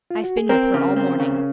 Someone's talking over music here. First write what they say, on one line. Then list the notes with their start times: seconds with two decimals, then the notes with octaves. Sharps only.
I've been with her all morning.'
0.11 F4
0.24 F#4
0.37 G#4
0.49 C4 A#4
0.74 C#3
0.96 C4
1.20 C#3